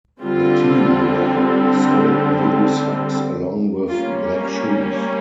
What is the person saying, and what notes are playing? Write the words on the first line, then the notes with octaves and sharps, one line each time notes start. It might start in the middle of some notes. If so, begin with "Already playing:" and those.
The team wore solid blue socks along with black shoes.
D3 G3 C4 F4
G3 A#3 C#4 F4